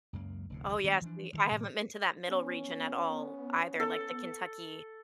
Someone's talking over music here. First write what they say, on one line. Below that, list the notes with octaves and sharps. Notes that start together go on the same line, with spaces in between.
Oh, yes we I haven't been to that middle region at all either, like the Kentucky
C#2 F#2 A#3
F1 D2 A2
D#3 G#3 A#3 C#4
E3 F3 G#3 D4
D3 D#3 G3
A2 C3 D#3 F3
B3 C#4
A4